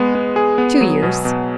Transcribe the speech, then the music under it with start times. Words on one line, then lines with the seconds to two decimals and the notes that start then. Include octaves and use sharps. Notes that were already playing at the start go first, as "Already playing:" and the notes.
"Two years."
Already playing: G#3 B3
0.15 B3
0.36 G#4
0.58 B3
0.81 F#3
1.03 B2
1.25 B2